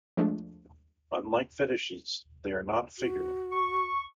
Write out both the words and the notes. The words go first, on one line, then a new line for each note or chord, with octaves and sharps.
Unlike fetishes they are not figural.
F3 G#3 A3 D4
F#4
C#6